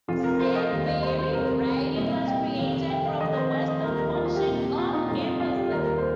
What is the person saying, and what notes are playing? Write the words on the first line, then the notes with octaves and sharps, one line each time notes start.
Sudbury riding was created from the western portion of Nipissing.
F1 F2 C3 F3 F4
A#4
C5
D#5
F1 D#2 D#3 G3 F5
F5
C5
C5
F2 C3 D#3 G3 A#4
C2 A#2 G3 D#5
F5
G5
F2 C3 D#3 G3 F5
G5
F5
F1 F2 D#3 D#5
C5
F5
D#5
D#2 D#3 G3 A#4
A#4
F4
F4
G4
C2 A#2 G3
F4
D#4
G1 F2 C3 F3 F4
F4
G4
D#2 D#3 G3 A#4
A#4
C5